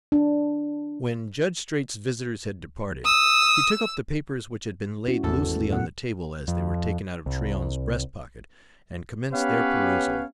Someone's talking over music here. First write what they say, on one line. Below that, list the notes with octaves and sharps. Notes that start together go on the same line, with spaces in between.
When Judge Straight's visitors had departed, he took up the papers which had been laid loosely on the table as they were taken out of Tryon's breast-pocket, and commenced their perusal.
D4
D#6 E6
C#4 E4 F#4
G#1 E2 F#4 A4
A3
A#2 B3 F#5
F2
C2
B3 C#4 G4 B4 C#5 F5